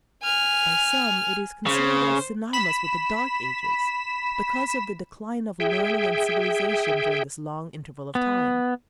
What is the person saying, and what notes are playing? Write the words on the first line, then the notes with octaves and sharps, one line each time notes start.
By some it is considered as synonymous with the Dark Ages, because of the decline of learning and civilization during this long interval of time.
G#5 F6
C#3 C5
B5 B6 E7
G#4 E5 G5
B3